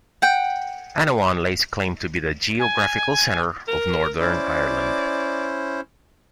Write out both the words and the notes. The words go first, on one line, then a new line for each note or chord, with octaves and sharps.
Annaghone lays claim to be the geographical centre of Northern Ireland.
F#5 G5
G#5
A#4
C#4 E4 C5 D5